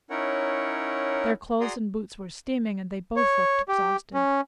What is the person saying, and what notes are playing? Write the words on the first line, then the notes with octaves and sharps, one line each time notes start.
Their clothes and boots were steaming, and they both looked exhausted.
C#4 D#4 E4 A#4 C#5 F#5
F#4 G#4 D5 A#5 C6 D#6
C#5
G4
C#4